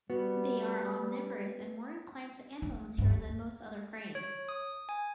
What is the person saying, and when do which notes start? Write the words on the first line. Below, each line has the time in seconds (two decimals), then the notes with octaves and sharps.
They are omnivorous and more inclined to animal material than most other cranes.
0.10 G3 B3 F#4
2.62 A3
2.98 G2
3.10 D2
4.15 C#5
4.49 D#6
4.89 G#5